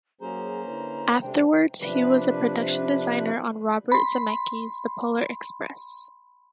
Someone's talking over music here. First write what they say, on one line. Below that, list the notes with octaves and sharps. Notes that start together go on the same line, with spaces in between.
Afterwards, he was a production designer on Robert Zemeckis' "The Polar Express".
F#3 A#3 C#4 G#4 C5 A#5
D3 E4 B4
C3 G#3 D4 A4 C5 G5
C3 F3 D4 B4
B5 C6